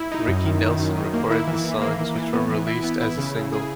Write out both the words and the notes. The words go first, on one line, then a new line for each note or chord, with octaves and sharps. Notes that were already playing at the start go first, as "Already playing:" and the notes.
Ricky Nelson recorded the songs which were released as a single.
Already playing: E4
D#4
F#2
D#3
D#3
F#2
D#3
A#3
E4
E3
E3
A#3
A#3
E3
B3
E3
E4
B3
E4
C#3
C#3
G#4